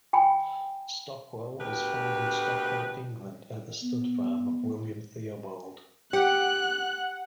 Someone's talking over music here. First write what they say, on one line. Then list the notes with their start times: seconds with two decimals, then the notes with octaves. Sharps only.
Stockwell was foaled in Stockwell, England, at the stud farm of William Theobald.
0.13 G5 G#5 B5
1.59 D2 B2 G4 A#4 B4
3.82 B3
6.13 G4 F#5 F#6